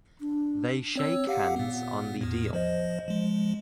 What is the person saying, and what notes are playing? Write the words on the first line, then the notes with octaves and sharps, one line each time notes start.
They shake hands on the deal.
D4
C4 C#5 E6
G4 F5 F#5
A#2 B3
E2 A2
F3 C5 D#5
F3 G#3